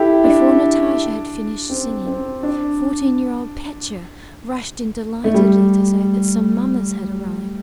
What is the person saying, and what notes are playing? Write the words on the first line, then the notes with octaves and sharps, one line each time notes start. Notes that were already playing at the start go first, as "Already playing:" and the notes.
Before Natasha had finished singing, fourteen-year-old Petya rushed in delightedly, to say that some mummers had arrived.
Already playing: E4 G4 A4
D4
C4
C4
D4
A3
G3